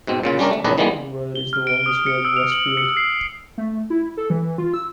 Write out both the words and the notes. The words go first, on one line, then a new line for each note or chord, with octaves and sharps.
East Mountain Road is the longest road in Westfield.
G#2 B2 C4
A#2 C#3 F4
G3 C#4 D4 A#4
A3
A#1 E2 D#3 D4 B4 D#5
D#3 E3 G3 G#3 A#3 B3
G7
F6
D7
D#6
C#7
E6
F7
F#7
C#7
C7
A3
E4
A4
E3
F4
E6